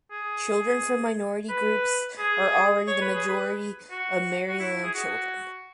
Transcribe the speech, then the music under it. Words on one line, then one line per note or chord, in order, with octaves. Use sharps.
Children from minority groups are already the majority of Maryland children.
G#4
B4
G#4
C#5
B4
G#4
B4
F#4
F#4
E4
G#4
F#4